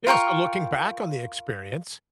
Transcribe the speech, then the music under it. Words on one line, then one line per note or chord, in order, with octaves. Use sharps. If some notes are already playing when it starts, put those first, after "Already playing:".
Yes, so looking back on the experience,
F4 A#4 G5 C#6